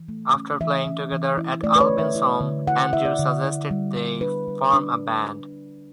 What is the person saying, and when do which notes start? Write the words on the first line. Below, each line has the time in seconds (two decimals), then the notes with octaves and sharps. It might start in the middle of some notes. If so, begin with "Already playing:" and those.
After playing together at Albin's home, Andrew suggested they form a band.
Already playing: E3
0.08 A3
0.35 C#4
0.60 E3 E5
0.86 C#4
1.12 E3
1.37 E4
1.63 A3 D5
1.76 B4
1.80 C#5
1.89 D3
1.98 E5
2.15 E4
2.41 D3
2.67 E4 F#5
2.93 E4 E5
3.05 D5
3.19 D3
3.44 E4
3.71 G3
3.96 G3
4.21 D4 B4
4.48 G3
4.73 D4